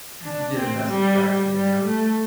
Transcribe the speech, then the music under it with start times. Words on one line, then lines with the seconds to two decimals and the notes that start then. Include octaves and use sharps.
you get a message back saying that.
0.24 D4
0.56 C4
0.88 G3
1.53 G3
1.85 A3